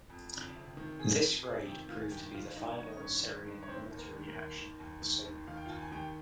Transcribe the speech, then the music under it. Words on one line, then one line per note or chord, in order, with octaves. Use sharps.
This raid proved to be the final Syrian military action in the salient.
F2
F2
C3
D#3
F2 G#4 G#5
F2
C3 G#4 G#5
D#3 G4 G5
D#3 F4 F5
G#5
G2 G4 G5
G5
D#3 F4 F5
F5
G2 D#4 D#5
D#3 C#5
D#5
G2 C#4 C#5
D#3
G2
C#5
D#3 C4 C5
D#2
A#3 A#4
D#3
A#3 A#4
D#2
D#3
D#2
D#3
D#2
D#3 F5
G5
F4 F5
D#2
G#5
D#3 G4 G5